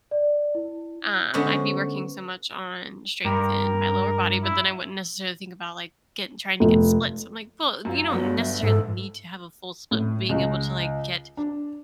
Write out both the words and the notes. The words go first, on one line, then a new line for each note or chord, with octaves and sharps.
um, I'd be working so much on strength in my lower body, but then I wouldn't necessarily think about, like, getting trying to get splits. I'm, like, "Well, you don't necessarily need to have a full split, being able to, like, get
D5
E4
D3 G#3 B3 C#4 C5
G2 A#4
A#4
E4
F1
F#2 F4
G1 F#3 B3
E5
G#2 A4
A2
C#2
D4